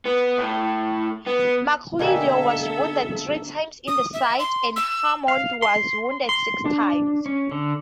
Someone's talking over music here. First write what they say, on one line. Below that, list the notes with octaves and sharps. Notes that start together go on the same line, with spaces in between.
McLeod was wounded three times in the side and Hammond was wounded six times.
B3
A2
B3
B2 D3 A#3 G4 A4 E5 G#5
D#6
E5
C6
E6
F5
C6
C6
D4
C#4
D3